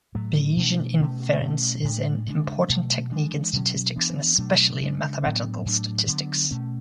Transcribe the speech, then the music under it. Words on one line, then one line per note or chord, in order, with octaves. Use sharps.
Bayesian inference is an important technique in statistics, and especially in mathematical statistics.
A2 F#3 A3
B2 A3 D4
B2 A3 C#4
B2 A3 C#4
A2 G#3 D4
C#3 G#3 B3 D4
B2 F#3 A3
E3 G#3 D4
B2 F#3 C#4
E3 B3 D4
B2 F#3 A3 D4
C#3 G#3 D4
A2 F#3 B3 D4
A2 F#3 A3 D4
D3 F#3 B3 D4
B2 A3 C#4